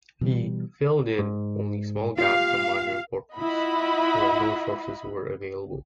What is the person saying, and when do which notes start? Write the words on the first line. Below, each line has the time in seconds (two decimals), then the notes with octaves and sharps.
He "filled in" only small gaps of minor importance, where no sources were available.
0.21 B2 E3 F3 G3
1.19 G#2
2.18 F4 G4 F5
3.34 E4 F4 D#5 E5 F#5 B5